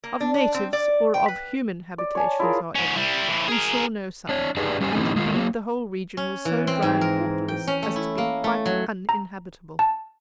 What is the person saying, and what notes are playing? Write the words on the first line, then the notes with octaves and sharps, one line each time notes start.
Of natives or of human habitations, however, we saw no signs, and indeed the whole region was so dry and waterless as to be quite uninhabitable.
A#3
D4
D4
C4
D5
G5
B4
D5
C#5 G#5 A5
E4 F4 G#4 A#4
G#2 C#4
G3 E4
E2 A2
G#4 A#4
D4 C#5
D4 D#4 G4 G#4 B4 D5
G3 C#4 G4 C5 G#5
E3 C4 C#4 D#4 E4 G4
D#3 G#3 A3 F4
F#3 A#3
C#4
E3
C4
G#2
A#4
G5
C#4
A3
E4
A#3
A3
F#3
A#5
A5